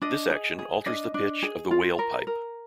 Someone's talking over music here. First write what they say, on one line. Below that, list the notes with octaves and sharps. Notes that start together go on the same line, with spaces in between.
This action alters the pitch of the 'wail pipe'.
D4 D#5
G#4
G#4
D4 D#5
D4
G#4
F4
A#4
A#4